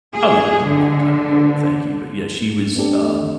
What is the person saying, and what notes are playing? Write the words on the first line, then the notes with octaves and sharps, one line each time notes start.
Oh yeah, it's a long time ago, but thank you, but yeah, she was um
G#4
D3
A3 B3 C4 D4 G4 A4